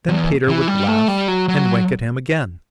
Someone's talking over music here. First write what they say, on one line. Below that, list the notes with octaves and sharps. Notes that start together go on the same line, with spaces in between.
Then Peter would laugh and wink at him again.
E2
E3
G3
A3
G3
F#3
F#3